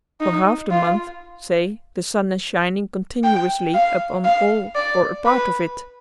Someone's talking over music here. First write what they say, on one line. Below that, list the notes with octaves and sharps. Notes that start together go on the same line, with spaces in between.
For half the month, say, the sun is shining continuously upon all or a part of it.
D#4
F4
G5
F5
F5
D5
B4